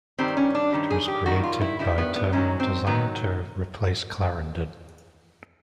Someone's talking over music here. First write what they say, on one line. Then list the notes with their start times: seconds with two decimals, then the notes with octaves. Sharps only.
It was created by Terminal Design to replace Clarendon.
0.18 G2 D#3 G3 C4
0.37 C#4
0.55 D4
0.73 G2 D#3 G3
0.90 G#4
1.08 G4
1.26 G2 D#3 G3 F#4
1.44 F4
1.61 E4
1.79 G2 D#3 G3 E4
1.98 B3
2.16 B3
2.32 G#2 D#3 F#3 C#4
2.60 C4
2.87 G#2 D#3 F#3 B3